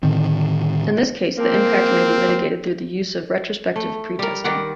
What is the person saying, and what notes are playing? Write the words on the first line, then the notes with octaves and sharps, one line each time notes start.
In this case the impact may be mitigated through the use of retrospective pretesting.
A2 D3 D#3 C4
F3 G#3 A#3 C4
A3
G3 A#4
D#3 G3 D5 F#5